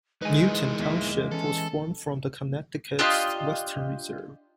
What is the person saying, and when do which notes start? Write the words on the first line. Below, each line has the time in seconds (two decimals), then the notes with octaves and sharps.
Newton Township was formed from the Connecticut Western Reserve.
0.22 E3 G#3 D#4 B4 G#5
0.79 E2 A#3 E5
1.31 E3 C#4 A4
2.99 D4 F4 G4 D#5